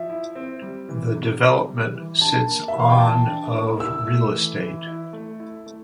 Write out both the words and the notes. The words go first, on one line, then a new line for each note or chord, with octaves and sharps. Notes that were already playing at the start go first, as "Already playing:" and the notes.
The development sits on of real estate.
Already playing: F3 E5
E4
C4
G3
E3
C3
C3
G3
E3
D4 A5
A#3
E5
E3
F5
G5
E3 A5
D4
A#3
E4 E6
A3
E3
E3
E4
A3
E4
A3